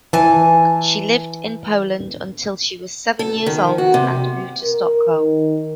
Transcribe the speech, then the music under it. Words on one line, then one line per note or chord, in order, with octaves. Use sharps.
She lived in Poland until she was seven years old and moved to Stockholm.
E3 G#5 A5
A4
D#3
F#4
C3
A#4
D#3